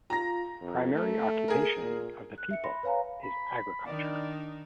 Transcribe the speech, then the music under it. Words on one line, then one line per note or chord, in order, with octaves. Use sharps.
Primary occupation of the people is agriculture.
F4 A#5 A#6
F2
A3
G#4 A#4
A#2
F#6
E5 C#7
B5 C6 A#6
B4 C#5 F5 G#5 A#5
B5
D#3 D4 D#4 D5